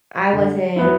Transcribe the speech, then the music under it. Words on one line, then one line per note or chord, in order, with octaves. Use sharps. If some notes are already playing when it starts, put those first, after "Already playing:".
I wasn't
D3
F#3 B3 E4